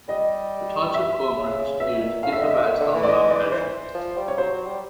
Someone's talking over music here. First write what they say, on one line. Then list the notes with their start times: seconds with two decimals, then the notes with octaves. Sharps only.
The types of cormorants used differ based on the location.
0.08 G3 D#5
0.94 E5
1.37 C#3
1.59 C#3
1.80 B2 E5
2.02 A#2
2.23 A2 F5
2.33 E5
2.38 D3 D#5
2.51 D3 E5
2.66 D#3
2.80 D3
2.94 E3
3.03 D5
3.09 D#5
3.31 D5
3.52 C5
3.95 F3
4.16 G3
4.28 C#5
4.37 F#3 C5
4.52 F#3
4.67 G3